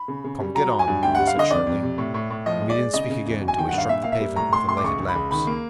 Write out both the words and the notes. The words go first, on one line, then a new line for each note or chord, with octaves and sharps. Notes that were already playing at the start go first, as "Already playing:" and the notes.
"Come, get on," I said shortly; and we didn't speak again till we struck the pavement with the lighted lamps.
Already playing: B5
C#3
C#3
G3
F#3 A#5
F#3
G#5
G2
D2 G5
G3 F#5
F5
D3 D#5
F2 D5
F2
C3
A2
A2
A2
F3 D#5
G#3
D5
G#3
C#3 D#5
C#3
E2
F#3
G#5
D#3 G5
G2 F#5
F5
A#2 E5
A#3 F5
E5
G3
A2 A#5
A2 C6
A2 C6
D6
C#2 C#6
C#2
B5
C#2
D#3 B5
A#3